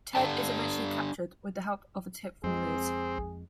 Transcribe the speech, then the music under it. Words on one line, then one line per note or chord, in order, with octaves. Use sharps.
Ted is eventually captured with the help of a tip from Liz.
D4 G4 A4 D5 A5
F2 G#3 C4 G#4